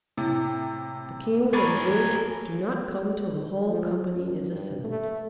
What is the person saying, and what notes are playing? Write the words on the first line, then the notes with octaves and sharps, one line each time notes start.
"The kings of the wood do not come till the whole company is assembled."
A2 C3
G#4 A#4 C#5 B5 C#6 D6 A6 D#7
F3
F#2
G2
A3